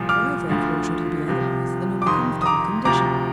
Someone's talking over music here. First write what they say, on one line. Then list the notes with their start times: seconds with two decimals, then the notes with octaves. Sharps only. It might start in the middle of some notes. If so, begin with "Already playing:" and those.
Why therefore should he be otherwise than in a comfortable condition?
Already playing: C2 A#2 F3
0.09 D6 F6
0.49 D2 D3 F3
1.28 C2 C3 F3
2.02 D6
2.06 F2 C3 D#3 C6 D#6
2.42 D#6
2.46 A#5 D6
2.85 D2 C3 F3 A#5 D6